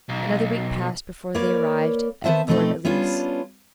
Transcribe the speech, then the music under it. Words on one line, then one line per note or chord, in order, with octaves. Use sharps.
Another week passed before they arrived at Fort Ellice.
B1
A#3 A#4 B4 C#5 D5
D#3 B3 C5 E5 A5
B2 F3 A3 C4 D#4 G4
G3 B3 C#4 D4 F4